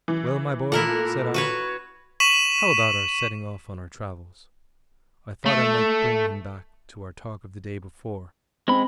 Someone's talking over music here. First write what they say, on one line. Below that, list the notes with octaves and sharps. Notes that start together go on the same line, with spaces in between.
'Well, my boy,' said I, 'how about our setting off on our travels?' I thought I might bring him back to our talk of the day before.
E3
A#2 A3 E4 A#4 F#5
F#4 B4 C#5
C#6 B6 D#7 E7 F#7
A3
G#3 C4 B5